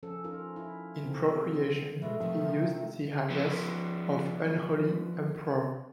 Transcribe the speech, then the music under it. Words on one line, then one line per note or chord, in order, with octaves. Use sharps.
In Procreation, he used the alias of Unholy Emperor.
F3 C#4 A4
C#4 D#4 F4 A#4
E4
C3 C4 D#4 A4
B3 F4 G#4
D#3
B2 F3 G#3 A4 E5
C3 D#3 F3 A3
F3 B3